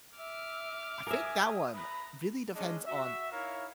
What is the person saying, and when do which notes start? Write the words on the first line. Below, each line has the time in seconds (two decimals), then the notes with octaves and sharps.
I think that one really depends on
0.17 E5 D6 F6
1.07 A#4 E5 G#5 D#6
1.75 A#5 B5
2.56 G#3 C#4 D4 G#4 D#5
2.87 F#4 E5
3.32 D#4 E4 A#4 C#5 F5